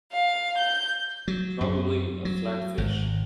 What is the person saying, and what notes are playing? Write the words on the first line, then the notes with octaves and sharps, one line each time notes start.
Probably a flatfish.
F5
G6
F#3
F#2
F#3
G#1